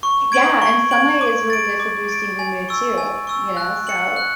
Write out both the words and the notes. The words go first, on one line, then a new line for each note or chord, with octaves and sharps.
Yeah, and sunlight is really good for boosting your mood too, you know, so
C#6
G#6 D7 F#7
C#6
G#6 D7 F#7
D6
A6 D7
D6
A6 D7
G#5
C#6 E6
G#5
C#6 E6
F#6
C#7 F#7
F#6